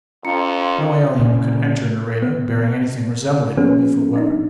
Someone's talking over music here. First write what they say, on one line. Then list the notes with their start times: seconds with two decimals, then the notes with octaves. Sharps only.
No alien could enter Nareda bearing anything resembling a lethal weapon.
0.25 F2 C#4 F4 A#5 C#7
1.19 A#2 C#3
2.22 B3
3.57 F3 A#3 B3 C#4 G#4
4.16 D4 D#4